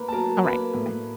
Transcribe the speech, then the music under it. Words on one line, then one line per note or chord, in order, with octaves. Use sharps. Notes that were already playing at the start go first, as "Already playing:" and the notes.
Alright. Bye-bye.
Already playing: A#3 B4 A#5 B5
A5
F#3 A#4 A#5
A#3 B4 B5
A2